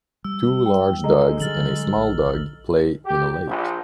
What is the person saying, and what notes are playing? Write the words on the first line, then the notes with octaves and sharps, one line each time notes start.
Two large dogs and a small dog play in a lake.
G3 E6
G5
G#3 A4 D#5 A#5
D3 F#3 G3 F6 A6 F#7
A#1
G4
A#1